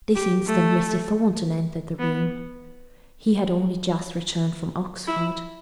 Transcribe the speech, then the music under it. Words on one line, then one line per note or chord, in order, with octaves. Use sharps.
At this instant Mr. Thornton entered the room; he had only just returned from Oxford.
G4
A3
B3
E4